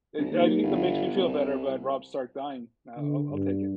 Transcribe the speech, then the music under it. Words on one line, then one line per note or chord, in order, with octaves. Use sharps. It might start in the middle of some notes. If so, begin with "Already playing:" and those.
a anything that makes me feel better about Rob Stark dying, I'll I'll I'll take it.
C2
D#2
G1
C2
D3
G2